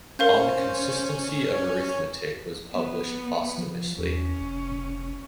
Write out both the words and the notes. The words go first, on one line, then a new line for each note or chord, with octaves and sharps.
"On the consistency of arithmetic" was published posthumously.
C#4 A#4 C5 F5 G6
C#5
B3
F3
E2 C#4
F1